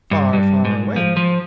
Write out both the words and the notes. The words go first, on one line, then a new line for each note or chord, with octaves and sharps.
"Far, far away!"
G2
G2
G#2
F3
F3